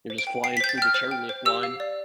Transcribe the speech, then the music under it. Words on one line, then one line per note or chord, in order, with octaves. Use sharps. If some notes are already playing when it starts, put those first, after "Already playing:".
you're just flying through the chairlift line.
C5
D7
G5
G5 C7
B6
C5 G6
A6
G5 F6
C5
G5
C5
G4 E6
F5
D5